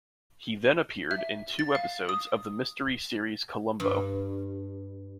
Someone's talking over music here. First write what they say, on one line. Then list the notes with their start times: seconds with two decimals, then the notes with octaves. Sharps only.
He then appeared in two episodes of the mystery series "Columbo".
1.11 E5
1.59 A6
1.75 F5
2.09 D#6
3.80 G2